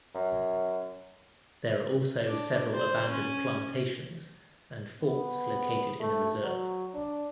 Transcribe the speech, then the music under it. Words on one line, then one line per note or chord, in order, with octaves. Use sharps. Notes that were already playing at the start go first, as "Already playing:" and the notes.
There are also several abandoned plantations and forts located in the reserve.
F#2
D4
C5
C#4
B3
A3
F#3
D4